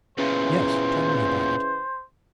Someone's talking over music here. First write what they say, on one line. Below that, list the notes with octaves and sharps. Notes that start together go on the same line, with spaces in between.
'Yes; tell me about it.
E2 A#2 C#3 E3 C5